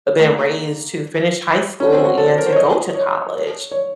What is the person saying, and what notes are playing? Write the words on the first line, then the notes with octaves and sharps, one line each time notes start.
been raised to finish high school and to go to college,
A3
A#3
C#4
C4
F#4
A4
A4
A#4
C5
C#5
D#5
C#5
C#5